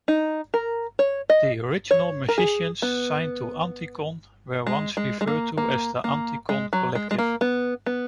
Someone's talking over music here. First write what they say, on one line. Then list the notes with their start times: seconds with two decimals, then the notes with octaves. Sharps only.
The original musicians signed to Anticon were once referred to as the Anticon collective.
0.08 D#4
0.54 A#4
0.99 C#5
1.30 D#5
1.91 C#5
2.29 A#4
2.38 G#4
2.82 B3
4.67 G#3
4.97 G#3
5.21 G#3
5.27 A#3
5.58 A#3
6.04 A#3
6.49 G#3
6.73 F#3
6.95 G#3
7.11 G#3
7.18 A#3
7.41 B3
7.86 B3